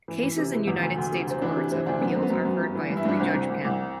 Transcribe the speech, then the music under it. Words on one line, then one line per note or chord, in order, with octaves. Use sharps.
Cases in United States courts of appeals are heard by a three-judge panel.
E3
E3
C3
E3
E2
D2
D2
C3
D2 C4
E3 D4
C3
E3 C4
D2 D4
F#2 B3
F#2 C4
B3
F#2
F#2
G2
E3
G2
E4
G2 D4
C2 C4
C2
C2
C2